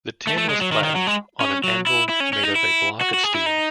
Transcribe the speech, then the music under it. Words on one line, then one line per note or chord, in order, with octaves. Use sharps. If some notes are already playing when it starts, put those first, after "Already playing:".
The tin was flattened on an anvil made of a block of steel.
A3
A3
G#3
F#3
D#3
D#3
F#3
G#3
C#4
F#3
E4
E4
C#4
C#4
D#4
E4
F#4
F#4
G#4
E4
D#4